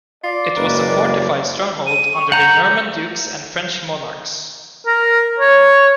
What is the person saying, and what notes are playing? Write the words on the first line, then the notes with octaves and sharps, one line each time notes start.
It was a fortified stronghold under the Norman dukes and French monarchs.
F4 D5
F#1 G#3 A#3 A#4 B4
D#7
C#6
F#5 A#5 G6
A#4
C#5